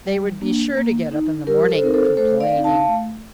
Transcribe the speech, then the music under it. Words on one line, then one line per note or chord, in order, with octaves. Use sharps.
They would be sure to get up in the morning complaining.
G3
A#3 D4
A#3
D#4
G3 G4 A#4
A4 C5
C4 D#4 A#4
A4 C5
A3 A4 C5
D5 F5
C4 D#4
F5 A5
A3